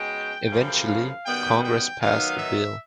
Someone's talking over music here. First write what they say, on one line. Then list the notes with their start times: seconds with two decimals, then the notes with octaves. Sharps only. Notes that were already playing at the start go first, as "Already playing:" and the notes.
Eventually, Congress passed the bill.
Already playing: B2 G#3 C#4 G5
0.48 F#2 C#3 F3 A3
0.87 F5
1.25 F#2 D#3 G3 B3 G5
1.63 G5
2.01 D#3 F#3 B3 D#4 F5
2.38 E5